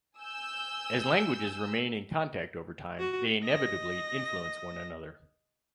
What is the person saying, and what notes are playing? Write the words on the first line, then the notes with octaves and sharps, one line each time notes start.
As languages remain in contact over time, they inevitably influence one another.
G#5 E6 G6
F#4
D#5 A#6